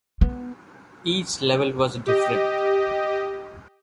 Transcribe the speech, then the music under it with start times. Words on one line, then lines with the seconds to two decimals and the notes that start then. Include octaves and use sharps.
Each level was different.
0.21 B3
2.06 G4 D#5